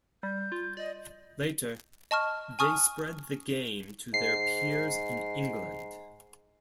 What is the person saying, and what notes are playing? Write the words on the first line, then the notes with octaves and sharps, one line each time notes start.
Later they spread the game to their peers in England.
G3 G6
F4
D5 D#5
D#5 A5 C#6 F6
G#5 A5 C#6 D#6 F6
G#2 C7